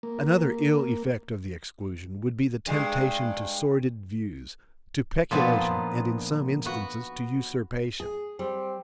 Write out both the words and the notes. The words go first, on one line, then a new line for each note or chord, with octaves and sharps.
Another ill effect of the exclusion would be the temptation to sordid views, to peculation, and, in some instances, to usurpation.
A#3
G2 G#3
A#2 F3 B3 D4 D#4
B3 F#4
G#4
G3 C4